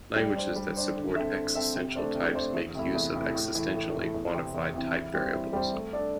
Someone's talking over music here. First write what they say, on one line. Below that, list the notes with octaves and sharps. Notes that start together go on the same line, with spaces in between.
Languages that support existential types make use of existentially quantified type variables.
G3
D4 C5
G3
D4 C5
D3
C4 A4 E5
D3
C4 A4 E5
C3
A3 D4 C5
C3
A3 D4 C5
E2
C3 A3 E4
E2
C3 A3 E4
A2
E3 A3
A2
E3 A3
E2
C3 E3 C4
E2
C3 E3 C4
E3
G3 C4 G4 C5
E3
G3 C4 G4 C5
A3
D4 A4 D5